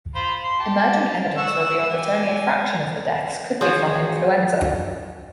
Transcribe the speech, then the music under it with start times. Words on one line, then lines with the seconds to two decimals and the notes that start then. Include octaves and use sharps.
Emerging evidence revealed that only a fraction of the deaths could be from influenza.
0.15 F4 C5 B5
0.44 C6
0.60 G4 A5
1.37 F#5 C#6 E6
1.90 G4 G#5
3.61 F3 F#4 G#4 C#5